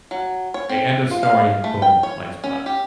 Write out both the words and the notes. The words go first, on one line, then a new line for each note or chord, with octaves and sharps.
Say, end of story, boom, lights go out.
F#3
C#5
C4
F4
F5
A3
G5
C#5
C#4
G4